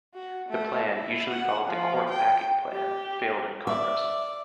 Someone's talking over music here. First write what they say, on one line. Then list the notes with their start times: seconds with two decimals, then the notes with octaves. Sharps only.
The plan, usually called the "court-packing plan", failed in Congress.
0.14 F#4
0.49 A3
0.93 E4
1.29 F#5
1.67 F3
2.10 G5
2.73 G4
3.67 D5 E5